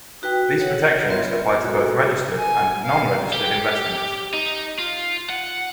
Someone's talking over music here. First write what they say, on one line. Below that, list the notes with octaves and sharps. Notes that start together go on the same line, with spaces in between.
These protections apply to both registered and non-registered investments.
D#4 F#4 B4 G5
C#5 F#5
B3 F4 A#4 E5 C6
F#4 A4
G#5
F5
G4
D#4
F4
F#5